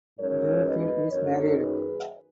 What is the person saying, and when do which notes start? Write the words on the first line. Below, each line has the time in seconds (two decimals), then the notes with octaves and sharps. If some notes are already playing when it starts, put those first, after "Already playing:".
Duffield is married.
0.19 G#2 F#3 C#4 A#4 C#5
0.65 B4 D#5
1.11 F#2 D#3 A#3 D#4 A#4 C#5
1.57 G#4 B4